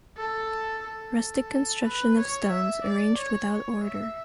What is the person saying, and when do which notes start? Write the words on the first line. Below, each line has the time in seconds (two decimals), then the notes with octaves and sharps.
Rustic construction of stones arranged without order.
0.17 A4
0.84 A4
1.84 B4
2.18 C#5
2.51 E5
2.84 D5
3.17 C#5
3.51 C#5
3.84 E5